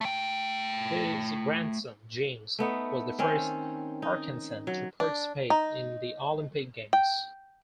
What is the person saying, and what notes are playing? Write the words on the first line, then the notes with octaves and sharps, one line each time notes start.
His grandson, James, was the first Arkansan to participate in the Olympic Games.
A3 G5
A3 B3 D#4
D#3 C4 C#4
D#4
F#3
D4
D#4
G5